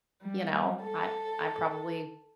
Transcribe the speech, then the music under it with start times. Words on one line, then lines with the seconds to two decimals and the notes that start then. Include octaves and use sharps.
You know? I I probably
0.22 G3
0.82 A4